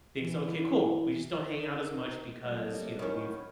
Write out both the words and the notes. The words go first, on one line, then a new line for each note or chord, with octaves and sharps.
thinks, "Okay, cool, we just don't hang out as much because," you know, "we've
E3
D#3 D#4
C3 F#3 G3 A3 A#3 A4 D#5
F#2 D#3 C#4 E4 C#5